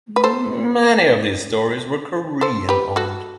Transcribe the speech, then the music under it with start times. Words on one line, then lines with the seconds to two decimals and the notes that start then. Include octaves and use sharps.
Many of these stores were Korean owned.
0.16 B4
0.24 A4 C5
2.41 A4 C5
2.69 G4 B4
2.96 F#4 A4